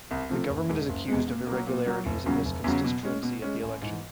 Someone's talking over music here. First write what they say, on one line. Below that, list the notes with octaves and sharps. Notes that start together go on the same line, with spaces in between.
The government is accused of irregularities in this constituency at the election.
C2
C3 F3 A3
F#1
E2 B2 G#3
F#1
E2 B2 G#3
A#2
F#3 A#3
A#2
F#3 A#3
F1
E2 C#3 F#3
F1
E2 C#3 F#3
B2
G#3 C#4
B2
G#3 C#4
A1
G#2 E3